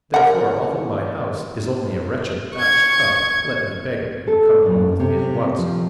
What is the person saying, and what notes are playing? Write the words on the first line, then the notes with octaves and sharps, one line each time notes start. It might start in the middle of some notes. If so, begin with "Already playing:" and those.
Therefore, although my house is only a wretched thatched hut, let me beg of you to come home with me at once.
A#4 F#5
C#6 G#6
A4
F#2
C3
F3